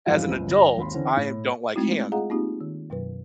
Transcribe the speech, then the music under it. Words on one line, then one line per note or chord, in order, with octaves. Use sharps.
as an adult, I don't like ham,
F2 G#2 E3 G3 F5
F#1 C#2
G1 A#6
G#1 D#2 B5 C6
D3 E3 C4 C#4
A2
G#3 A3 C4 D#4 E4 F#4
F4 G#4 D#5 F5 F#5 A#5
A#3 C4 D#4 F4 G4
D#3
F#2 B2 F#3 B4